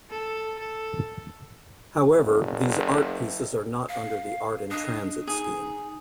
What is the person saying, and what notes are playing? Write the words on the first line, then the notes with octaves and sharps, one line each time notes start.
However, these art pieces are not under the Art in Transit scheme.
A4
A4
F#1
F5
D4 D#5
D#4 G#4